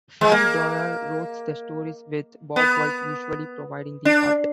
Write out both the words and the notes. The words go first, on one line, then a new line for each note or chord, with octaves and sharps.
Frank Doyle wrote the stories, with Bob White usually providing the art.
G#3
A#3
B3
D4